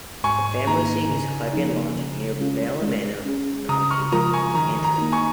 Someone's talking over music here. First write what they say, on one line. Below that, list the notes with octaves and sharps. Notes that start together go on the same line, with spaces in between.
The family seat is Cleggan Lodge, near Ballymena, County Antrim.
G#2 G#5 C#6
D#3 A#3 D#4 G#4 A#5
C#3
F3 A#3 D#4
C#3
G#3 C#4 F4
G#3
C#4 G#4
C#3 A#5 D#6
C#6 F6
F3 G#3 F4 A#4 A#5 D#6
G#5 C#6
D#3 A#5
A#5
A#3 D#4
G#5 C#6